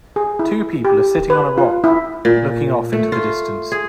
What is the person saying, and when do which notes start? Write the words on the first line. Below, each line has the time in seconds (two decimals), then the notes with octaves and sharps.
Two people are sitting on a rock looking off into the distance.
0.16 G#4
0.39 E4
0.85 G4
1.30 B4
1.58 F4
1.84 E4
2.25 A#2
2.93 A3
3.12 F4
3.72 G#4